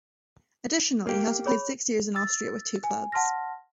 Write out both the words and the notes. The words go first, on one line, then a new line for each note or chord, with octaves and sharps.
Additionally, he also played six years in Austria with two clubs.
A#3 G4
G#4 C#5 B5
E6 A6
G#5
F#5 A5 C6 F6 A#6